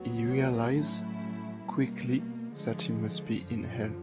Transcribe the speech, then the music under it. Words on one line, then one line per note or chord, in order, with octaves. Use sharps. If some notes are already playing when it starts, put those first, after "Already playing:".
He realizes quickly that he must be in hell.
Already playing: D2 C#3 F#3 B3
A2 F#3 A3 C#4 E4
B2 G3 A#3
D3 F3 G#3
F#2 D3 F3